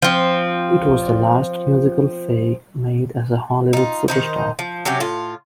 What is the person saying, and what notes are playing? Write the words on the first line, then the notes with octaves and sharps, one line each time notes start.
It was the last musical Faye made as a Hollywood superstar.
F3 C4
D#4 F4
D#3 D#4 C5
F3
C3 F#3 C#4 G4
A2 F4